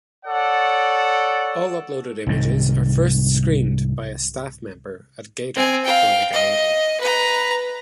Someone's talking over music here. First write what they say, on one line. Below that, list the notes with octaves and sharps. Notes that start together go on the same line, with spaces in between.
All uploaded images are first screened by a staff member at gaydar for legality.
A4 C#5 D5 F#5
C2 G#2 D#3
C4 G#5
F5 G5
D#5
B4 A#5